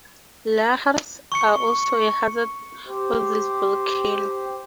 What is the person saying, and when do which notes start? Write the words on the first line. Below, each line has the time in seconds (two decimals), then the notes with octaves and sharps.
Lahars are also a hazard of this volcano.
1.32 C#6 C#7
2.87 G4 C5